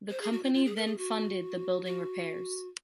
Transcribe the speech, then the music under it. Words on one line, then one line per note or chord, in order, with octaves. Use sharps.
The company then funded the building repairs.
C5
G#4
F#4
F4
F4
G#4
A#4
G#4
F#4
F#4